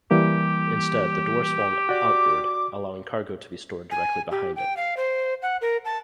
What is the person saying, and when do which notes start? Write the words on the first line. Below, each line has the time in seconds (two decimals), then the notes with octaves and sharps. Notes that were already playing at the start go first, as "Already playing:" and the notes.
Instead, the door swung outward, allowing cargo to be stored directly behind it.
0.11 E3 G3 A#3 G4
1.89 F#4 D5 D6
3.91 G#5
4.31 G4
4.56 G5
4.77 F5
4.97 C5
5.42 F#5
5.61 A#4
5.85 A5